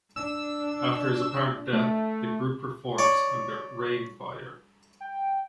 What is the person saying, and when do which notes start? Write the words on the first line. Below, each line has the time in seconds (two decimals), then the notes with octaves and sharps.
After his apparent death, the group reforms under Reignfire.
0.16 D4 E6
1.73 A3
2.98 C#5 D5
5.01 G5